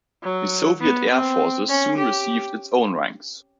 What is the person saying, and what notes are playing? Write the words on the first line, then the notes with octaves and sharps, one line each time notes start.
The Soviet Air Forces soon received its own ranks.
F#3
B3
C4
C#4
G4